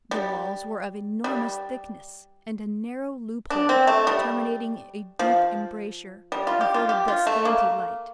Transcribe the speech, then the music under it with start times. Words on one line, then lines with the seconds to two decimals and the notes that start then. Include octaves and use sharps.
The walls were of enormous thickness, and a narrow loophole, terminating a deep embrasure, afforded but scanty light.
0.11 G3
1.24 G3
3.50 D4
3.69 C4
3.87 A3
4.07 G3
5.19 F3
6.32 G3
6.47 F4
6.61 G4
6.74 F4
6.89 G4
7.08 F4
7.27 A3
7.45 A#3